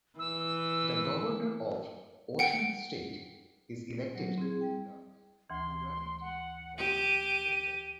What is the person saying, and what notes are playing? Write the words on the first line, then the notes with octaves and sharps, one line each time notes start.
The Governor of Osun State is elected using the plurality voting system.
E3 E6
F#5 G5 C#7
F#3
C4 E4 G#4
G3 G5
D2 E3 C6
F#5
G4 D#7